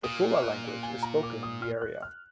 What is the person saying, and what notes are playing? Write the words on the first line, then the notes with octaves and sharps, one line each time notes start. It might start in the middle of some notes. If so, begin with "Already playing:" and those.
The Fula language is spoken in the area.
A#2 D#6
F#6
G#5
A#5
D6
D#6
F6
F#6
F6